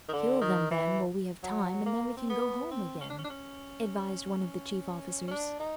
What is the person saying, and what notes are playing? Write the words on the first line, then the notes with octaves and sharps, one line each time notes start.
"Kill them, then, while we have time, and then we can go home again," advised one of the chief officers.
D#3
D3
D#3
E3
F#3
A#3
C4
B3
C4
C#4
D4
C#4
D4
C#4
C#4
D4
D#4